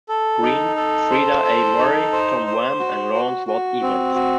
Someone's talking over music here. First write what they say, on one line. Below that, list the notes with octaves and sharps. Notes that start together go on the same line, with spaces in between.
Green, Frieda A. Murray, Tom Wham, and Lawrence Watt-Evans.
A4
D#4
A4
C5
A4
D#4
C5
C5
F#4
F#4
F#4
C4
F#4